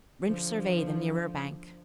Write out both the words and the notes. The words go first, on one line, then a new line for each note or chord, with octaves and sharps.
Rynch surveyed the nearer bank.
D3 F3